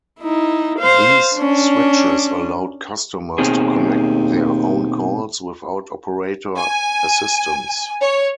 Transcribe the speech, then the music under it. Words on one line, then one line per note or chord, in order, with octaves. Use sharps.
These switches allowed customers to connect their own calls without operator assistance.
D#4 E4
C5 F5
C#4 D4
D#2 B2 C4 G#4
G#5
C#5